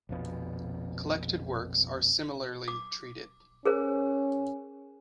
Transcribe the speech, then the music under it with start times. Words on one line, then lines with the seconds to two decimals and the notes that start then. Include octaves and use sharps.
Collected works are similarly treated.
0.09 A#1 F2 B2
2.68 D6
3.65 C#4 G#4 A#4 C5